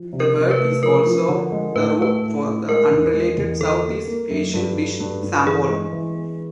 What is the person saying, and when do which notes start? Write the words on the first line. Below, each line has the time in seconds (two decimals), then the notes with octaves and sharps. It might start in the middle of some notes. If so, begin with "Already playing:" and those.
This word is also the root for the unrelated South East Asian dish sambol.
Already playing: F3
0.13 C3
0.20 A#4
0.37 C3
0.51 B4
0.59 A3
0.82 F3 A#4
1.06 F3
1.29 D3
1.52 G#3
1.75 A2 B4
1.98 A3 B4
2.22 A2
2.44 A2
2.68 G#3 A#4
2.91 E2
3.14 G#3
3.38 E2
3.60 D3 A4
3.84 A#3
4.07 A#3
4.30 F#2
4.53 G2
4.77 F#3
5.00 G2
5.23 G2
5.46 E3 G#4
5.69 G#3
5.92 E3
6.16 B3